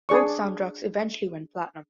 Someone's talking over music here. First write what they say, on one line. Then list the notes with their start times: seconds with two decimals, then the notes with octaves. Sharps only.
Both soundtracks eventually went platinum.
0.09 D4 G#4 D5 C#6